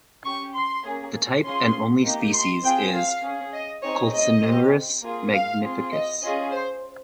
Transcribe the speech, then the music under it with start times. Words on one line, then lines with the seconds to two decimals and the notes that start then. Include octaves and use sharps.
The type and only species is Khulsanurus magnificus.
0.24 C#4 G4 C#6
0.55 C6
0.84 A#3 C#4 G#4
1.44 C#4 F4 G#4 C6
2.03 A#3 D#4 G4
2.33 C6
2.63 C4 F4 G#4 G5
2.94 F5
3.23 C#4 G#4
3.53 D#5
3.83 C4 D#4 G#4 C#5
4.13 D#5
4.42 C4 G4
5.02 A#3 F4 G#4
5.32 F5
5.62 C4 F4 G#4
5.92 D#5
6.22 C#4 F4 G#4 D#5
6.51 C5